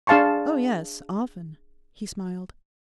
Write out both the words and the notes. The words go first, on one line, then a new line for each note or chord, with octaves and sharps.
'Oh yes, often.' He smiled.
D4 G#4 F5 A5 C6 C#6